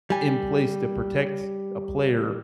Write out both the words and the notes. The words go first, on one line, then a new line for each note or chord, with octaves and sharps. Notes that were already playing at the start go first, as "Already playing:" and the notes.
in place to protect a player,
G3 G#5